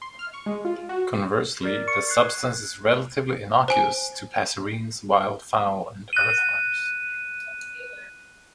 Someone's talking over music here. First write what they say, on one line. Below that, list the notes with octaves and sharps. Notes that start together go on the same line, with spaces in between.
Conversely, the substance is relatively innocuous to passerines, wildfowl, and earthworms.
C6
F6
C#6
G#3
F4
F#4
A#4 D5
C#6
F#6 G#6 C7
C5 G#5
F#6 D#7